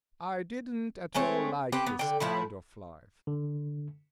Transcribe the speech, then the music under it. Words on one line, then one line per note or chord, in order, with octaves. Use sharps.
I did not at all like this kind of life.
G#3 A3 C4 C#5
C4 G4 B4 G5
B3
D3 G5
A2 F3 E4 B4
D3